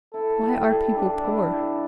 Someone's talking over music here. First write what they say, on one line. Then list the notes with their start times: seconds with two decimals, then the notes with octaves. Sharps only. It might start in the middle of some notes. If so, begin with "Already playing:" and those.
Why are people poor?
0.13 E4 A4
0.41 G3
0.55 A4
0.69 G3
0.96 G2 D4
1.24 E4
1.52 A4